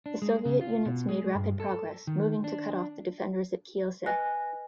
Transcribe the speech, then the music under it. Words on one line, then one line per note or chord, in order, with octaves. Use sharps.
The Soviet units made rapid progress, moving to cut off the defenders at Kielce.
D4
G#3
C#3
F4
B2
G#3
G2
A4
D#3
D4
B4 D#5 G#5 F#6 A#6